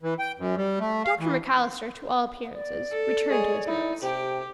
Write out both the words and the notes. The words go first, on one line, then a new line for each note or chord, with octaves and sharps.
Dr. McAllister, to all appearances, returned to his notes.
E3
G5
F#2
G3
A3
F5
E3
D5
A4
G#3 G#4 C#5
D#4 E4
C3 G4 G5